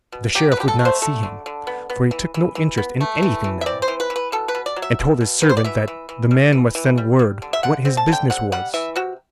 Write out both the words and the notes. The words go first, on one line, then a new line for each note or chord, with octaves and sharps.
But the Sheriff would not see him, for he took no interest in anything now, and told his servant that the man must send word what his business was.
B2
F#3 G4
B4
D3 G4
A4
A3
C5
D3 A4
D3
D3
B3
B3
E3
E3
E3
B3
A3
E3
E3
E5
C4 D5
C5
E3
B4
E3
B4
B2 A4
B4
B2
D5
F#3
E5
B2
B2
B2 B4
C5
D5
E3 E5
E3
E3
G3
E3
E3
G3
G3
D3
E5
D3 F#5
C4
A5
D3
G5
C3 F#5
G3 F#5
E3 E5
C3 F#4